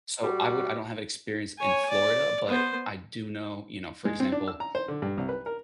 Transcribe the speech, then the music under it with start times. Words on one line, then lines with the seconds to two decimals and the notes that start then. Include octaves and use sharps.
So, I would I don't have experience in Florida, but I do know, you know, for example,
0.23 G3 F#4
1.59 C#5 G#5
1.89 D5
2.49 B3 C5
4.05 G#3
4.20 C4
4.32 D4
4.48 E6
4.60 A#5
4.75 C5
4.88 D3
5.02 G2
5.18 C2
5.29 B4
5.46 A#4